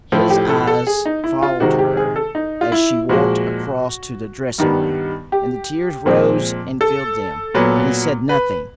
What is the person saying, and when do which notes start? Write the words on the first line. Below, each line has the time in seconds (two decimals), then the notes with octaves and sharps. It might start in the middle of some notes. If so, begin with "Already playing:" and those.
His eyes followed her as she walked across to the dressing-room, and the tears rose and filled them, but he said nothing.
0.12 A2 F3 A3
0.30 G4
0.49 A4
0.67 A4
0.87 G#4
1.06 D#4
1.24 E4
1.42 F4
1.60 C3 D#3 G#3 C4 F#4
1.79 G4
1.97 G#4
2.16 A4
2.35 D#4
2.61 F4
2.72 E4
3.09 A#2 F3 G#3 F#4
4.58 G2 D#3 G3 B3
5.32 G4
6.06 A#2 F3 G#3 C4
6.81 A4
7.54 A#2 F#3 B3
8.29 B4